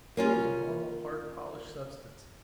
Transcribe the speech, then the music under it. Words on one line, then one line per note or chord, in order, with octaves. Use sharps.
Steel is a normal, hard, polished substance.
A#3 C#4 F4